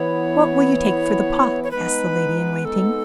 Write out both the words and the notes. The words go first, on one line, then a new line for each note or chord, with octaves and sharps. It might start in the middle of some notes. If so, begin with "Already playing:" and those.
'What will you take for the pot?' asked the lady-in-waiting.
Already playing: E3 B3 E4 C#5
C#5
G#3 B3 D#4 B4
A4